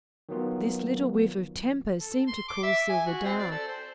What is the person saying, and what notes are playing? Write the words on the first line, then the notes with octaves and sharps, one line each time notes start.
This little whiff of temper seemed to cool Silver down.
D#3 F#3 B3 F4
A4
C6
D6
E5
G#5
F#4
C4
D5
A4
C5